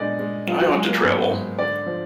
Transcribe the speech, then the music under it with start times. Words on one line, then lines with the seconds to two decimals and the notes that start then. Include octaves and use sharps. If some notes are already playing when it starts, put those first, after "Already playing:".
I ought to travel.
Already playing: A#2 G#3 B3 D4 D#4 D5 D#5
0.19 G#3
0.47 F#3 F4
0.61 F#4
0.75 F#3 G#3 G#4
0.89 A#3 A#4
1.02 G#2 B3 B4
1.31 G#2
1.59 D3 D4 D5
1.86 F3